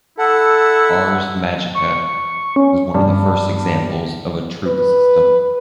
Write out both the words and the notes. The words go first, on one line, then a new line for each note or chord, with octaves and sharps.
"Ars Magica" was one of the first examples of a Troupe system.
E4 A4 F#5
C#6
C#4
G2
B4